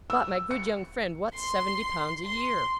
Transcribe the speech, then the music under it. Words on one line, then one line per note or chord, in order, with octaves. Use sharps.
But, my good young friend, what's seventy pounds a year?'
E6
C#7
C6
C6